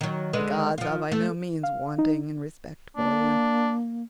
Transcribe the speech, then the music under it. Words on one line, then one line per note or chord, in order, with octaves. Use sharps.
The gods are by no means wanting in respect for you.
D#3 F#3
D3 G#3 B4
F3 F4
A3
F5
D#4
A#3 D4